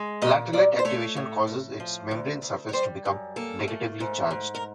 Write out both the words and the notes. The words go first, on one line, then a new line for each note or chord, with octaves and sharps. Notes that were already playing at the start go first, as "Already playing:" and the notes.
Platelet activation causes its membrane surface to become negatively charged.
Already playing: G#3
A#2 D#5
A#2 D5
C5
A3 C#5
A2
A2
F3
D2
D2
C#5
G3 C5
F#2
A#3 A4
A3
G#2
G#2
A#4